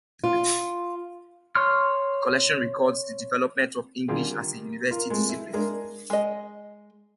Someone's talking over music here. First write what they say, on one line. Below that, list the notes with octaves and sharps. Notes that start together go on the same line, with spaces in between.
The collection records the development of English as a university discipline.
F4
C#5 C6 F6
D3 D#3 G3 F4 G4 G#4
F4 A#4
G#3 A3 C4
E4
G#3 D4 G#4 A#4
G#3 D#5